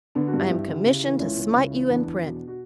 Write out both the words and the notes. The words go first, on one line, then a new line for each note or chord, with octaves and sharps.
I am commissioned to smite you in print.
D3 B3 D4
D4 F#4
G2
E4 G4
G2
D3
C#3
E3
C#2 C#4 E4
C#2
C#3
E3
E2 B3 D4
E2
B2
F#4